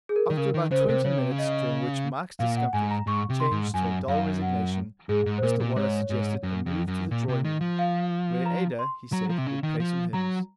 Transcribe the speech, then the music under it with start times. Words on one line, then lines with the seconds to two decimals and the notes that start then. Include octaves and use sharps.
After about twenty minutes, during which Mike's discomfort changed to a dull resignation, Mr Waller suggested a move to the drawing-room, where Ada, he said, would play some hymns.
0.09 G#4
0.16 A#4
0.30 D#3
0.37 C#3 A#4
0.54 D#3
0.71 C#3 C5
0.80 A#4
0.89 C3 C5
1.04 C#3 C#5
1.18 C3
1.31 C#3
1.39 D#5
2.39 A#2 F5
2.57 F#5
2.73 G#2 G#5
2.91 A#5
3.07 G#2 C#6
3.30 C3
3.40 C6
3.51 G#2
3.74 F#2 G#5
4.08 F#2 F5
4.42 F#5
5.09 G#2 G#4
5.26 G#2
5.38 C5
5.43 A#2 A#4
5.60 A#2
5.76 G#2 C#5
6.10 G#2
6.43 F#2
6.66 F2
6.88 F#2
7.11 A#2
7.28 C3
7.45 D#3
7.61 F3
7.79 F5
8.46 A#5
8.79 C6
9.12 F#3 A#5
9.30 F3
9.38 C3
9.47 C#3
9.63 D#3
9.80 F3
10.13 F#3 A#5